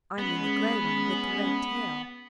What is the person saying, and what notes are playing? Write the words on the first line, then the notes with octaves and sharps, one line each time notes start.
I mean the grey one with the red tail.
G#3 B3 C#4 G#4